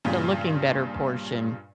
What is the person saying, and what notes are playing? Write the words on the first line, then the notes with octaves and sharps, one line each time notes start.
The looking-better portion
G2 A#2 C#3 F3